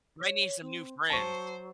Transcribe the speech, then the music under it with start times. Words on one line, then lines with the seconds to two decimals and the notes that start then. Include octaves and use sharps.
Might need some new friends.
0.20 C#5
0.61 C4
1.10 F#3 C5 A5 C#6